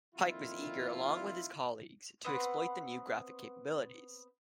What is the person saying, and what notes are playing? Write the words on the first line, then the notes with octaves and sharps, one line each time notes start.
Pike was eager, along with his colleagues, to exploit the new graphic capabilities.
F2 A#2 D#3 E4 F4
B3 C4 B4 F#5